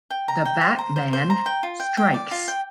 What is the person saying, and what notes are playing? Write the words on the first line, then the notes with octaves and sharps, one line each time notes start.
The Batman Strikes!
G5
A#5
G5
C5
A#5
C5
C5
A#5
G5
F4
G5
G5
D5
F4
G5